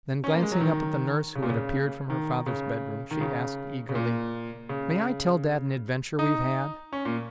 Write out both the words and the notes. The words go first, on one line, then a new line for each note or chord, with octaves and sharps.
Then, glancing up at the nurse who had appeared from her father's bedroom, she asked eagerly, "May I tell Dad an adventure we've had?"
C#4
A#3
G#3
F#3
D#3
C#3
A#2
C#3
D#3
C#3
D#3
C#3
C#3
A#2
C#3
D#4
C#4
A#2